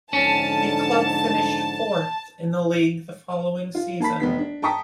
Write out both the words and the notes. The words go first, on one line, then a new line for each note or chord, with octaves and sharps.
The club finished fourth in the league the following season.
F2 G#2 D3 C#4 A5
F4
A#3 A5 B5 B6
F1 B3 B6
D4
G5 A5 A#5 C#6 D#6 B6